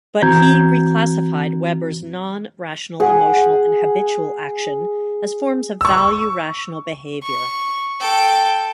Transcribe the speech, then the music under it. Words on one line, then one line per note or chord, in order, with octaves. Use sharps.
But he reclassified Weber's non-rational emotional and habitual action as forms of value-rational behavior.
E3 C4 F#4 A#5 G6 G#6
G#4 F#5
C#6 E6
C#6
A4 G5